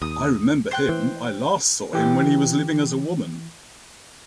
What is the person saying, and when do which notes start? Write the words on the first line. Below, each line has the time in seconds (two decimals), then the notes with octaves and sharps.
I remember him. I last saw him when he was living as a woman.
0.02 D#2 D#6
0.71 C5 G5 F#6
0.89 E3
1.93 E3 G4